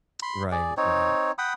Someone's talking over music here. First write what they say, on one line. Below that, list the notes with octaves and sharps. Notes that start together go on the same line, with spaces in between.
Right, right
B5 C6
G#4 D5
C4 D#4 C#5
F#5 G5 B5 D#6